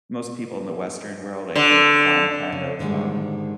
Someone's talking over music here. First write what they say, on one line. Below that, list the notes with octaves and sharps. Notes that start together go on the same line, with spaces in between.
most people in the Western world, I think, find kind of, um,
D3
C#3
G#2 D3 D#3 F3 G3 G#3